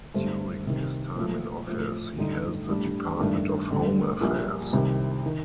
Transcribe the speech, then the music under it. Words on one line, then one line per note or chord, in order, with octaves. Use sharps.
During his time in office he held the Department of Home Affairs.
G2 D3 A3 C4 G4
C2 C3 D#3
A#2 F3 A3
A2 F3 C4
A1 G2 D3 A3 D#4
A2 G3 D4
G2 D#3 A3 D4
A1 G2 D3
A#1 A#2 G3 A#3
C2 C3 D#3
D#3